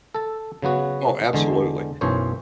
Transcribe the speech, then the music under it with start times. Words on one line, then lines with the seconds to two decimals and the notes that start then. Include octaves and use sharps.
Oh, absolutely.
0.15 A4 A5
0.62 C#3 F#3 B3 F#4
1.33 E2 D3 G#3
2.01 B1 F#2 E3 C5 C#5